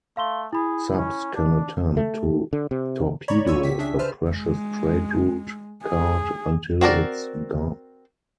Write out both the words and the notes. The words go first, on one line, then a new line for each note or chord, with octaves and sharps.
Subs can attempt to torpedo the precious trade route card until it's gone.
A3 F5 C6 G7
E4 G#4 B5
C#4
D4
A3
D3
C3
C#5 D5 A#5 B5 C#6
C#2 F4 C#5 C#6 E6 D#7
G4 B6
C#3 D4 G#4 E5 B6
B4 C5 A5 F6
G#3
G#4
C4 F#4 A#4 D5